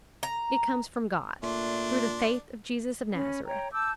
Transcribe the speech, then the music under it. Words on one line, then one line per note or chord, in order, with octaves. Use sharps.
It comes from God, through the faith of Jesus of Nazareth.
A#5
A#2 A3 D4 C6
C#4 B5
C#5 G5 A#5
A5 D6 E6 G6